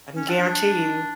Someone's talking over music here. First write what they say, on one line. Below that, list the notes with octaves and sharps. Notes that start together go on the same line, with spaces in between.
I can guarantee you,
C#4
D4
D4